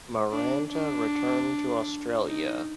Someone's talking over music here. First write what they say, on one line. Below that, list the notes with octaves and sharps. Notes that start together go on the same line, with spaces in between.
Maranta returned to Australia.
D4
D4
D#4